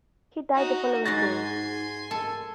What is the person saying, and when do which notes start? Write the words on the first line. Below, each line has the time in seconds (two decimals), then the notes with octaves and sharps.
He died the following day.
0.54 D#4 F#4
1.06 G#2 F#4 G#5 C6 A6 A#6
2.11 A4